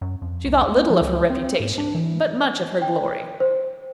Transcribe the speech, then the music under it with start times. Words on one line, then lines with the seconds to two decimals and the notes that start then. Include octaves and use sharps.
She thought little of her reputation, but much of her glory.
0.01 F#2
0.22 F2
0.45 C2
0.72 A#3
0.90 F3
1.01 C#2
1.30 C4
1.60 G#2
1.78 D4
1.95 E3
2.82 G5
3.40 C5